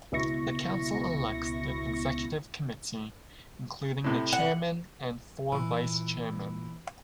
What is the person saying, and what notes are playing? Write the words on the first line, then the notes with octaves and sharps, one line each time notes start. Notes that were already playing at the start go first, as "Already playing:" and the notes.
The Council elects the Executive Committee, including the Chairman and four Vice Chairmen.
C#2 B2 E4 C#6 A#6
A2 C3
F#5
A#2 E3